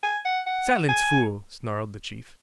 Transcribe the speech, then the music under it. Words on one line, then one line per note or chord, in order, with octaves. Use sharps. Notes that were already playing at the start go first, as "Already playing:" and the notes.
"Silence, fool!" snarled the chief.
G#5
F#5
F#5
G#5